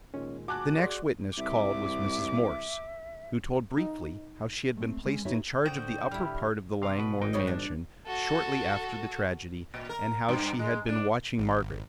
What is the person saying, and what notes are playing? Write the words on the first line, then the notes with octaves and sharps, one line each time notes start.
The next witness called was Mrs. Morse, who told briefly how she had been placed in charge of the upper part of the Langmore mansion shortly after the tragedy, and how she had been watching Margaret.
A#2 D#3 G#3 C#4
F#4 G#5 A5 D6 F#6
F#4 G#4 D5 C6
C2 E5 D6
D#4
A3 C4
G#3 C#4
D#4 E4 F#4 B4 C#5 E5
A2 D3 F#4 C5 G5 D#6
G3 E4 F6
C3 F5
B2 B4
G#1 D#4 G5
G3 C#5 D#5
D4
F#4 A4
A#2
A#4
G2
G#3
D4
G#1